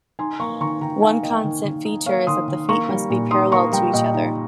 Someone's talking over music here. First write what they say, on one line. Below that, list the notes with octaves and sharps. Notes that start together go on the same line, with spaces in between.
One constant feature is that the feet must be parallel to each other.
D#4 G#5 C6
A#3 A#5 C#6
D#3 A#5 C#6
D#3 G5 A#5
D#4 F5 G#5
A#3 D#5 G5
D#3
D#3
D#4
A#3 C#5 F5
D#3 C6 D#6
D#3
A#3 A#5 C#6
G3
A#2
D#4 C6 D#6
A#3 A#5 C#6
G3 G5 A#5
A#2 D#5 G5
D#4